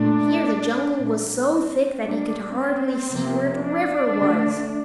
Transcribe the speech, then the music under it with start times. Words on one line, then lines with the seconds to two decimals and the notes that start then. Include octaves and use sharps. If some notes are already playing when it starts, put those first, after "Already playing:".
Here the jungle was so thick that he could hardly see where the river was.
Already playing: A#2 A3 D4
0.97 A#2 G3 A#3
1.50 C4
2.03 A#2 G3 A#3 D4
2.56 C4
3.09 C3 F3 A#3
3.62 D4
4.15 D3 A3